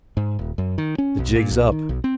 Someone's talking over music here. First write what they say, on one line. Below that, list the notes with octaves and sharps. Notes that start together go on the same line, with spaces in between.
The jig's up.
G#2
D#1
F#2
D#3
C#4
B1
A#2
B1
D#3
B1
C4